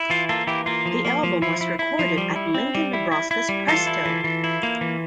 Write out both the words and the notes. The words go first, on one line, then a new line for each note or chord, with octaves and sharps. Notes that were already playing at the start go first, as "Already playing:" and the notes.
The album was recorded at Lincoln, Nebraska's Presto!
Already playing: E4
E3 F4
A#3 F4 A4
E3 E4 G4
A#3 F4
F3
A#3
F3
F3 E4
E4
E4
F3
G3
E4
C4
G3
E4
E4
E4
G3
E3 F4 A4
E4
E3
E3
E4
A#3
E3